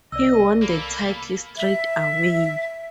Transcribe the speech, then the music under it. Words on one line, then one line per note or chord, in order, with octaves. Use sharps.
He won the title straight away.
C2 D5 D#5 E6
A#3 A4 B5
E5